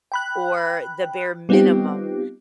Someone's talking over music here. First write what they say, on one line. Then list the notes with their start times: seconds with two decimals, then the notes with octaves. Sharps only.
or the bare minimum.
0.12 G5 B5 F#6
1.49 G3 B3 C4 D#4 F4 G4